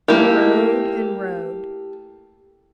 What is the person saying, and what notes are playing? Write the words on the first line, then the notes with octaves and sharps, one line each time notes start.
I rode and rode.
A3 A#3 E4 G4